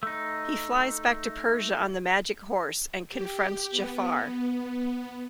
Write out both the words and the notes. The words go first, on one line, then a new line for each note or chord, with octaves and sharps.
He flies back to Persia on the magic horse and confronts Jaffar.
A3 D#4
G4
B3